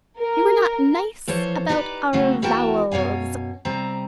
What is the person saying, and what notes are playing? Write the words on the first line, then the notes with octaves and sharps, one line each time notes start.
We were not nice about our vowels.
A#4
E3 F3 A4 C5 C#5
D#4 G4 B4 C5 D5
C#3 F#3 A3 C4 C#4
E2 E4 F#4 A#4 G5 A5
F#2 B2 C#5 F5 G#5
C3 G3 C4 A#5